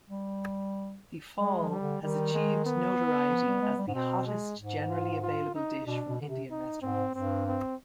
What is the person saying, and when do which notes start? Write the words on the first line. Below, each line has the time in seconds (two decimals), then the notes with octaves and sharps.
The phall has achieved notoriety as the hottest generally available dish from Indian restaurants.
0.10 G3
1.38 G3 G#3
1.59 F3
1.71 G3
1.81 D3
2.02 D#3 G3
2.34 G#3
2.66 B3
3.30 F3
3.47 G3
3.62 G#3
3.78 G3
3.88 G#2
3.94 B2 C4
4.27 G#3
4.58 G#2
4.90 F4
5.22 F4
5.55 D#4
5.86 B2 D4
6.08 B2
6.21 D3
6.28 C3
6.51 D#4
6.82 G#2 C4
7.15 G2 C4
7.47 C4